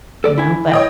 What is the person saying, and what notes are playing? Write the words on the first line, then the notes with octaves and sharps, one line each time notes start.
You know, but
A4 D5
E4 G#5
C#5 D#5 G5